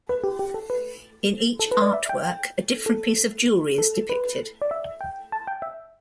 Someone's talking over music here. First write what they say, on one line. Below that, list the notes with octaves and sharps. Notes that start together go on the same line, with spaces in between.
In each artwork, a different piece of jewelry is depicted.
B4
G4
G4
A4
B4
A4
B4
D5
E5
G5
G5
A4
A4
B4
D5
E5
G5
A5
G5
E5